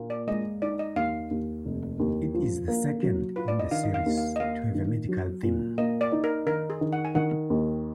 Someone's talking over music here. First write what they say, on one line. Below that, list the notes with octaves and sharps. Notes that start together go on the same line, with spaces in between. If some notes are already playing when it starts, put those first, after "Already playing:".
It is the second in the series to have a medical theme.
Already playing: A#2 A#3
D5
G#3 D#5
D#4 D5
D#5
D#2 F5
D#2
F1
D#2
F3
A#3
F#3
F4 B4
D5
D#5
D#3 F5
D#5
F5
D#2
F5
D#5
A#3 F5
D#3
F#3
A#2
A#3 D#5
D5
D#4
A#4
D#3 A#4
G#4
D#3
F#5
G#5
D#3 F#5
D#2